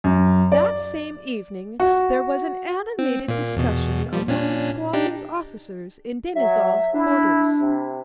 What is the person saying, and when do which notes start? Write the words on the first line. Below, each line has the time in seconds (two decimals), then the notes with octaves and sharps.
That same evening there was an animated discussion among the squadron's officers in Denisov's quarters.
0.04 F#2
0.52 D5
1.80 F#4
2.99 C4
3.28 A#2 A#3
3.56 E2 B2
4.13 F3 G3
4.28 A#2 C#4 D4
4.93 D4 D#4 G4
6.35 F#3 E5
6.94 D4 E4
7.61 C3